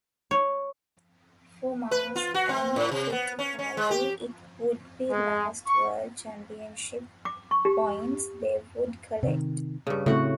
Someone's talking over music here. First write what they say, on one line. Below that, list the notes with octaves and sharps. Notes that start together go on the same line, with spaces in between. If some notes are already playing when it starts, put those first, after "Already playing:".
For Mass and Fittipaldi it would be last world championship points they would collect.
C#5
B4
F4
F#4
C4
A2
C3
B3
C#4
C#4
G#3
G4
G#3
C#6
D6
C#6
G4
C3 D#3
G2 C#3
A2 C#3 C4 F#4 F#5